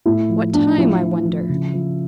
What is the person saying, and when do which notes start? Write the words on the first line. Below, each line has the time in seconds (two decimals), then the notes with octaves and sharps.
What time, I wonder.
0.06 A2 E4
0.29 F3
0.54 A2 D4
0.78 F3 E4
1.02 F3
1.25 F3
1.49 C#3
1.74 F3